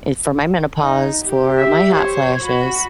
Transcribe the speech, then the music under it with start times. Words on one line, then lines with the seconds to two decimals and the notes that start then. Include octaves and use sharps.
eh, for my menopause, for my hot flashes,
0.81 D#4
1.25 G4
1.59 E5
1.93 C5 C#5
2.44 F#4 B5